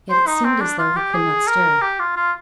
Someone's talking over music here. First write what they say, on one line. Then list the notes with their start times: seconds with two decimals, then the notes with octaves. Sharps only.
Yet it seemed as though he could not stir.
0.10 C5
0.27 D#4
0.44 C4
0.61 D4
0.78 F4
0.96 G4
1.13 G#4
1.47 A#4
1.81 G4
1.99 F4
2.16 F4